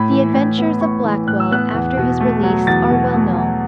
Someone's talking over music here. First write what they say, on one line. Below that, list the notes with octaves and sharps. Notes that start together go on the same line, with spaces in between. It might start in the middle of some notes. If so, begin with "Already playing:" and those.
The adventures of Blackwell after his release are well known.
Already playing: A2 B5
E3
A2
B3
A2 C#6
E3
A2 F#6
E6
B3 F#6
E2
B2
A3
F#3
E2 A6
B2
A3
F#3